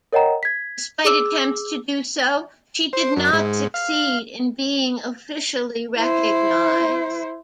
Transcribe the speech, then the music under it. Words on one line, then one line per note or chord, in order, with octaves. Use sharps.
Despite attempts to do so, she did not succeed in being officially recognized.
A#4 C#5 D#5 F#5 G5 A#5
G#6 B6
G#4 D6 E6
C5
F#2
G#2
F5
E4 C5